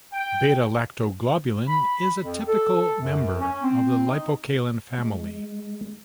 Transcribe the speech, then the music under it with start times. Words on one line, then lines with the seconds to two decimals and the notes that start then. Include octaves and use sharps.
Beta-lactoglobulin is a typical member of the lipocalin family.
0.13 G5
1.68 B5
2.22 F2
2.47 A4
2.99 F#2
3.40 C#4
3.62 C4
4.06 D#4
4.98 G#3